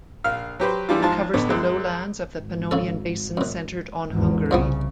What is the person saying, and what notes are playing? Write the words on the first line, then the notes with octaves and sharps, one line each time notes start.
It covers the lowlands of the Pannonian Basin centered on Hungary.
A#1 F5 F6
F#3 G4 B4 C5
E3 G3 D4 F4
G#2 F3 F4 A5
A1 D3 B3 C#4
F#2 G#3
G#1
C#3 C#4 A4
F#2 B2
G#1 E2
C2 G2 C#3 F3 B3